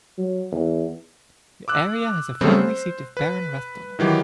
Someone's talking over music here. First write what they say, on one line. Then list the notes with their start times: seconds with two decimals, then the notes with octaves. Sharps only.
The area has the family seat of Baron Rathdonnell.
0.18 F#3
0.51 E2
1.68 D6 E6 F#6
2.41 C#3 F#3 G3 A3 B3 C4
2.59 C5
3.17 B4
3.99 D#3 E3 F#3 G4